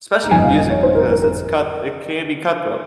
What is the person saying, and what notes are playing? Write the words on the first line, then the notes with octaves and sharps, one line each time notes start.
Especially in music because it's cut it can be cutthroat.
A#5
G1 F2 C#3 F3 G#5
D#5
F5
D#5
C#5
C5
A#4
A#4
A#4